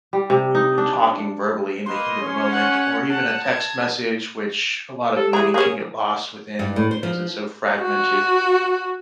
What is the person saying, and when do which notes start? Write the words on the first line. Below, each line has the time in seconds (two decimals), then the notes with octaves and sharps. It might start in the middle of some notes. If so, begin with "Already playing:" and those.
you kn talking verbally in the heat of the moment or even a text message, which a lot of meaning can get lost within because it's so fragmented.
0.13 G3
0.30 C3
0.55 D#4
0.78 D4
1.86 A#3 B4 D#5 C6
2.20 C#4
2.50 F#5
3.10 F#5 A5
3.44 G#6
5.16 G4 A4
5.33 E3 G#4 A#5
5.54 A#3 C#4 G#4
6.59 G2
6.76 A2
6.91 C5
7.03 F3
7.82 F#4